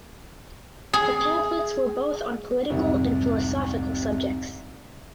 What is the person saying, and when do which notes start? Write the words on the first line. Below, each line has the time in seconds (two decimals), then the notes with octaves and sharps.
The pamphlets were both on political and philosophical subjects.
0.93 G#4
2.70 C2 F2 G#2 C3